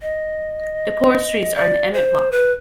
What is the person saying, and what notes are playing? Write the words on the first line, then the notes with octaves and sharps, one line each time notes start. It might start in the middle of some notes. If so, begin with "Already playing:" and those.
The poorest streets are in the Emmett Block.
D#5
D5
C5
B4